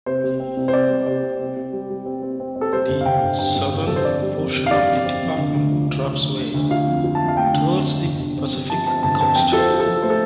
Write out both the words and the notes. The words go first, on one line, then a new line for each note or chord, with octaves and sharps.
The southern portion of the department drops away towards the Pacific coast.
C3 C5
C3
C4
C2
C5
C3 D5
G3
C3 D5
C4
C3
C3
G3
G3
C4
C4
C4
C4
A4
G3 C5
G1
F5
G1 G5
G1
G2 G5
G2
G1
G1 A4
C5
F2 D5
G3
F2
C3
F5
G3 D5
F2
C4
F2
D3
D2
F3
D2
D2
D2
D2
D2
F4 F5
F2
F4
A5
F2
F5
A3 G5
D3
F2
D3
G1
G1
C4
G2
F3 A5
C4 A5
G1 A5
C4 A5
F2 G5
F4 A4
C5
F4
A4
F3
A3 C5
A4